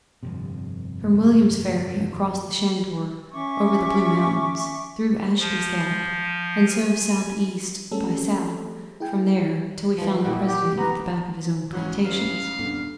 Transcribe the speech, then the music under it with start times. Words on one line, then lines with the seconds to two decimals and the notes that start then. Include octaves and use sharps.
From Williams Ferry, across the Shanedore, over the Blue Mountains, through Ashby's Gap, and so south-east by south from there, till we found the President at the back of his own plantations.
0.23 G1 F2 C3
3.33 C#4 E5 C#6 D6
5.39 F3
6.69 G#5
7.92 G3 A3 C4 C#4 G#4 A4
9.00 E4 G#4 G5 G#5
9.98 E3 F3
10.25 A#2 G3 E4 F#4
10.46 G4
10.78 B3 B4 A#5
11.73 G#2 C#3 F#3 C#4
12.05 A1 F5
12.59 D#1 G2 D3 B3